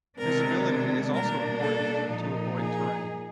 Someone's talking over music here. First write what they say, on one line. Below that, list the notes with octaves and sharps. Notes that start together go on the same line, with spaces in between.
Visibility is also important to avoid terrain.
C3 D#3 G#3 B3 D4 A#4
B2 G3 A#3 D4 A#4
A4
A#2 F3 A#3 D#4
G#4